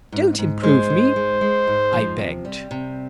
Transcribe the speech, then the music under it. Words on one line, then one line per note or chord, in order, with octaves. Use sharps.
"Don't improve me," I begged.
G#2
G#2
G#3 C5
G#2
G#3
G#3
G#2
F3
C3
G3
C3